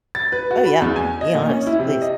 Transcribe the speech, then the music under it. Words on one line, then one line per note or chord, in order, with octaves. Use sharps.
Oh, yeah. Be honest, please.
A6
B4
F#4
B5
E2
G#5
D#5
A#2
C#4
E4
C3
D#5